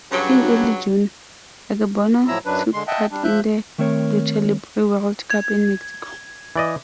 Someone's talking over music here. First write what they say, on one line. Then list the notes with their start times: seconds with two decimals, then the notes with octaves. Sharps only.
In early June, Akebono took part in the Lucha Libre World Cup in Mexico.
0.12 G2 C#3 F#3
2.28 A2 F3 F#3 E4 A#5 E6
2.46 F#2 F#3 D4 B4
2.74 D3 G#3 C6
2.87 D#5 E5 F#5 G5 A5
3.11 G3 D4
3.24 F3 E5 F#6 G6
3.78 D#3 A3 C4 A#4 C#5
5.30 G#6
6.56 E3 D5 D#5